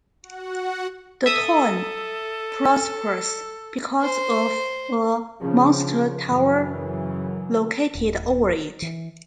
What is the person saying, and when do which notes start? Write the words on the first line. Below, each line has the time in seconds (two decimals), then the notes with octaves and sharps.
The town prospers because of a Monster Tower located over it.
0.23 F#4 F#5
1.26 A4 E5 D#6
4.02 C5
5.41 C#3 F3
6.28 F#2 C#3 E3
7.95 D#1
8.82 E3